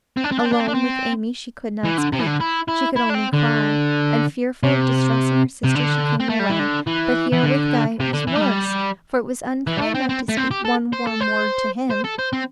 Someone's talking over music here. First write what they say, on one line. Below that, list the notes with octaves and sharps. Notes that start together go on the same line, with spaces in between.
Alone with Amy, she could not speak, she could only cry; and fearful of distressing her sister, she came away; but here, with Guy, it was worse, for it was unkind not to speak one warm word to him.
C4
D4
C4
D4
C4
D4
C4
D4
C4
E3
D3
C3
E3
D3
E4
E4
E4
D4
C4
D3
C3
C3
D3
C4
A3
G3
E3
D3
E3
E3
D3
C3
D3
E3
A3
G3
E3
G3
A3
C4
C4
A3
C4
G4
A4
C5
A4
C5
C5
A4
C5
C4